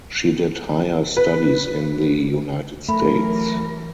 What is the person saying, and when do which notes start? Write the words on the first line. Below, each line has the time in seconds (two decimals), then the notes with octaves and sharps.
She did higher studies in the United States.
1.17 B4
2.89 E3 F#3 A3 A#4 B5